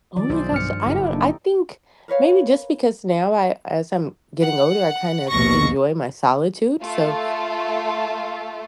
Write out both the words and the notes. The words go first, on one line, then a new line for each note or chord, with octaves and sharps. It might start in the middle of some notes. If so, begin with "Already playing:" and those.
Oh, my gosh, I don't, I think maybe just because now I, as I'm getting older, I kind of enjoy my solitude, so,
D#3 F3 D5
B1 G#4 C5 D5
G2 F6 C#7
F#1 E4 G4 A4
A#3 D4 D#4
A#4 B4 C#5 F5
F#5
A#1 D#2 B2 C#6 A#6
A3 F4 A4